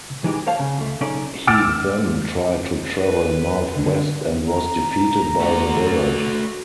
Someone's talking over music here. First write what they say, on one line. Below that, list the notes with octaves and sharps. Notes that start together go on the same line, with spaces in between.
He then tried to travel north west and was defeated by the desert.
E3 G#3 D#4 G4
C5 C#5 F5 A5
C#3
C#2 A3
B1 C#3 C#4 D#4 A4 D5
D6 E6 F6 A6 D7
B4
D3
A#5
A3 F#4